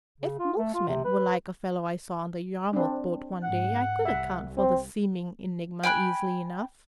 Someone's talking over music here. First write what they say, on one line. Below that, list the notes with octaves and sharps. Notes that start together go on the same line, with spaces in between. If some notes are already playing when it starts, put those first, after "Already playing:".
If most men were like a fellow I saw on the Yarmouth boat one day, I could account for the seeming enigma easily enough.
C#3
F4
A3
F4
C3
B4
C4 D4
G#2 F#5
C2 E5
C4
G5 G#5 B5 F#6